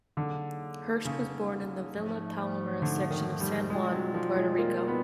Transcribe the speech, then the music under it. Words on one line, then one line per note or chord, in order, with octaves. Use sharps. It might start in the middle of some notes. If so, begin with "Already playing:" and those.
Hurst was born in the Villa Palmera section of San Juan, Puerto Rico.
D3 F#3 A#3 D#4 G#4
C#3
G#2 F3 A3
D3
D#3
G3
B2 G3 G#3 C4 F4
F#3
F3
G#3
A#3
B3